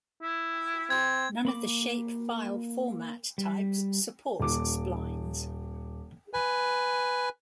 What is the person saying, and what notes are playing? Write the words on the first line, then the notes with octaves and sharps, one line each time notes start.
None of the shapefile format types supports splines.
E4
C4 G#6
A#3 B5 D6
G3
D#1 D6
B4 G#5